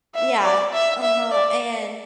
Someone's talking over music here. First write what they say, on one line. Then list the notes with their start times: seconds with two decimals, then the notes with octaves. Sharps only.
Yeah. Uh-huh, and,
0.15 E5
0.43 D5
0.73 E5
1.02 E5
1.32 D5